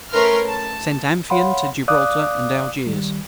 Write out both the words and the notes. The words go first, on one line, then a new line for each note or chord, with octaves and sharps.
Sent Amphion to Gibraltar and Algiers.
A3 C#4 A#4 B4 C6 F6
A5
C#5 F5 F#5 B5 C6
D5 F5 D6 D#6 F#6
D#3 G3